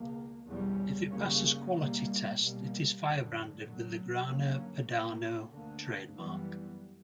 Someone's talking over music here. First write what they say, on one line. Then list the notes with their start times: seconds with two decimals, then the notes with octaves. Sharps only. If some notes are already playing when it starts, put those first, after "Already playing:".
If it passes quality tests, it is fire-branded with the Grana Padano trademark.
Already playing: C#2 B2 A#3
0.48 E2 B2 G3 C#4
1.11 F#2 C#3 G3 A#3 C#4
1.75 B2 G3 A#3
2.38 B2 G3 A#3
3.00 F#2 D3 F#3
3.64 F#2 D3 F#3
4.27 G2 D3 F#3 A#3 C#4
4.90 B2 A#3 C#4
5.53 D2 D3 A#3
6.16 F#2 E3 G3 B3